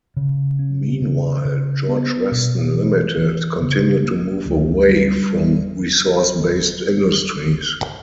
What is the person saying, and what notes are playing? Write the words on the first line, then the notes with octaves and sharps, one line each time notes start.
Meanwhile, George Weston Limited continued to move away from resource-based industries.
C#3
C#4
C#3
C#3
B3
B2
E3
E3
C#3
A#3
D2
G3